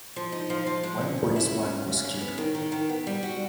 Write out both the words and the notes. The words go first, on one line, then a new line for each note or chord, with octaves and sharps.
One policeman was killed.
F3
D#4
F3
F3
G#3
C#4
C#4
E4
C#4
C#4
C#3
C#4
B3
D#3
D#3
D#3
B3
G3
F#4